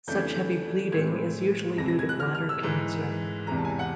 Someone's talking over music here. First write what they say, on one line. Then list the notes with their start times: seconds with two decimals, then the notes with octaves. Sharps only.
Such heavy bleeding is usually due to bladder cancer.
0.07 F2 C#3 E3 A3 D4 G6
0.19 G#6
0.31 G6
0.92 A2 E3 G#3 C4 G#6
1.77 F2 C3 E3 G#3 A#6
1.88 A#6
1.99 G#6
2.09 F#6
2.20 F6
2.35 F6
2.49 E6
2.63 G#2 E3 G#3
3.47 E2 C3 E3 G#3 A#5
3.58 A5
3.65 G#5
3.69 A5
3.79 F#5